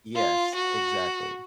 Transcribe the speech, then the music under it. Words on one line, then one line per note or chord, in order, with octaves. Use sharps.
Yes, exactly.
F4
F#4